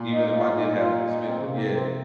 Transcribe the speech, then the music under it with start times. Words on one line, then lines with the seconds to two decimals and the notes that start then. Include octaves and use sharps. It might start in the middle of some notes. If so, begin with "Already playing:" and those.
even if I did have it to spent it yeah.
Already playing: A#2
0.11 D#4
0.30 D#4
0.34 F4
0.57 D#4
0.80 F4
1.03 D#4
1.21 A#3
1.25 C4
1.40 C#3
1.48 C3 A#3
1.71 C4